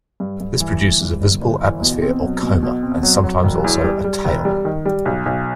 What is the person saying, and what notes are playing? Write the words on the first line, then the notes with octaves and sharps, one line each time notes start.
This produces a visible atmosphere or coma, and sometimes also a tail.
G2
G2
E3
G1
G2
G1
G1
E3
B2
C4
F#3
B2
B2
C4
F#3
F#3
E1
E2
G3
G3
E1
G3
D#3
G3
B1
B1